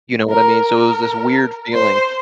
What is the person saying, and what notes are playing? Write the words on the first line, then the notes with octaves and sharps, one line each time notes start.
you know what I mean? So, it was this weird feeling,
A#4
A#4
C5